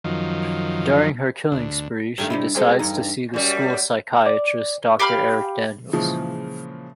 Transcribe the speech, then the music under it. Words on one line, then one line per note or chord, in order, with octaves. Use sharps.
During her killing spree, she decides to see the school psychiatrist, Doctor Eric Daniels.
F#2 D#3 F3
D2
G2 D#3 A3
C3 D#4 E4
G#3 C4 A4
E2 G2 D#4
F#2 G3
D5
G4 F5 B5 F6
A#2 C#3 E3 F3 G#3